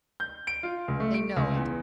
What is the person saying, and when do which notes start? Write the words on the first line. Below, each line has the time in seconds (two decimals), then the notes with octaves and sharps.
They know it.
0.20 G6
0.47 D7
0.63 F4
0.88 C#2
1.00 A3
1.14 D7
1.36 C#2
1.56 E2